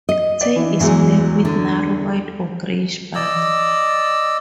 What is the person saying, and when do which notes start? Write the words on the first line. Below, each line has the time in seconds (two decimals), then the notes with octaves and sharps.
Tail is black with narrow white or greyish bars.
0.09 D#5
0.41 D5
0.56 E3
0.80 E2 E3 F#3 G#3
1.45 D3
3.15 D5 D#5 E6